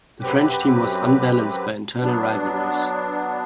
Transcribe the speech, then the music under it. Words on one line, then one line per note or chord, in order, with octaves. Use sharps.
The French team was unbalanced by internal rivalries.
F#2 F#3 C4 G4 B4
F#3 B3 D4